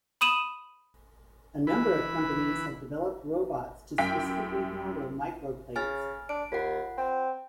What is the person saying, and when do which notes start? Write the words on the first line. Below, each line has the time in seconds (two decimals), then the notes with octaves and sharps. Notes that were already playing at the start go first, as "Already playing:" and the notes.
A number of companies have developed robots to specifically handle microplates.
0.21 B5 D#6 D#7 E7 F#7
1.67 E3 E4 B4 B5
3.98 F#2 E4 G5 B6
5.76 C#3 G#5 F6 A6
6.29 D4 D7
6.52 D#2 F4 F#5
6.98 C4